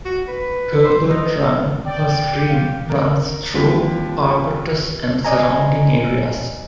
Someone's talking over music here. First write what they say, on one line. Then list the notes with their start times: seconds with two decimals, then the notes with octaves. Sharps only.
Herbert Run, a stream, runs through Arbutus and surrounding areas.
0.06 F#4
0.28 B4
0.85 C5
1.10 D#4
1.85 D5 G5
2.33 G4
2.49 F5
2.90 A#4
3.54 D#2 G3 C4 F4 B6
5.25 D5 D#5 G#5 A#5